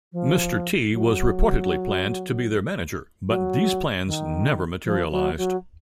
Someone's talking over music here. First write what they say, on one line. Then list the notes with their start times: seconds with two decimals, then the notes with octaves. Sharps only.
Mr. T was reportedly planned to be their manager, but these plans never materialized.
0.13 F3
0.92 F#3
3.28 F#3
4.06 D#3
4.85 F3
5.11 F#3
5.37 F#3